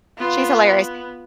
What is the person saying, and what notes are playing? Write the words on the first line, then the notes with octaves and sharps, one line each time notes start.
she's hilarious,
B3 F4